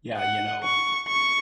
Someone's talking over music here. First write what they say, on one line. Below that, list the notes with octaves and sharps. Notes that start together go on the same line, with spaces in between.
Yeah, you know,
F#5
C#6
C#6